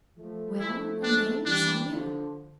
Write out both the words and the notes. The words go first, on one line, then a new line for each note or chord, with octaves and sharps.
"Well, and then, Sonya?..."
F3 A3
F3 A3 E4
D4
E3 G3 D4
D3 F3